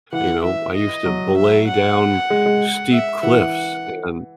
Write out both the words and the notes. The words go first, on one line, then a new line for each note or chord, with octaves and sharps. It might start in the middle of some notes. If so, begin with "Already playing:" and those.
You know? I used to belay down steep cliffs. And
E3 F#5
E5
D#5
F#3
E5
F#5
G#3
G#3
E5
E3 F#5